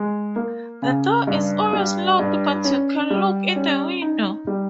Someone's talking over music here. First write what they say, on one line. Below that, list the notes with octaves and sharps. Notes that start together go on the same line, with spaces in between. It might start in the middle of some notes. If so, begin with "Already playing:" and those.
The door is always locked but you can look in the window.
Already playing: G#3
A#3
C#3
G2
G3
G2
C#4
G3
C#4
D#4
G3